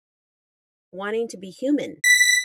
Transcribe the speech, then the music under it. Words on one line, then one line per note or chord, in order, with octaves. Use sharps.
wanting to be human.
B6